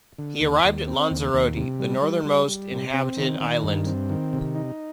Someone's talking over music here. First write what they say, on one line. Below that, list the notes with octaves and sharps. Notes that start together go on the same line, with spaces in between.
He arrived at Lanzarote, the northernmost inhabited island.
D3
D#2
D#2
C4
D#2
D#2
C3
G3
G3
G3
G3
C3
C4
D#3
D#3
G2
C4
D#3
C3
D#4